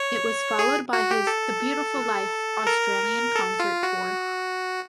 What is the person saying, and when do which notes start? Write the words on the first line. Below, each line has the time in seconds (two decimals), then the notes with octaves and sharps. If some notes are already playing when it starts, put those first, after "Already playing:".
It was followed by his "The Beautiful Life" Australian concert tour.
Already playing: C#5
0.59 G#4
0.93 F#4
1.11 G4
1.27 A4
2.67 A#4
3.35 A4
3.60 F4
3.83 F#4